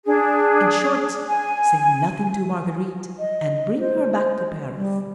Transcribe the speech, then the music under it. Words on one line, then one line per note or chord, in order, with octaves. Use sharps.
In short, say nothing to Marguerite, and bring her back to Paris.
D4 G#4
G#5
D#5
C5
G3